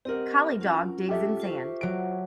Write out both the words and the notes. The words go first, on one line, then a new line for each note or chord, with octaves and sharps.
Collie dog digs in sand.
C4 G4 A#4 D#5 F#5
C#4 F4 F#5
G4 A4 E5
F4 C5 C#6
F#3 D7